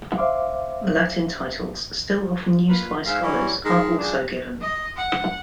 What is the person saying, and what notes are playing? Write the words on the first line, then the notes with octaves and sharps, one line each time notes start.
Latin titles, still often used by scholars, are also given.
C5 E5 F5 C6 D6
A#3 F4 B4
G#2 E5 F5
E3 F#3 G3 C#4
D#3 G#3 D#4
F#2 D4 F4 G#4
D#5
F#5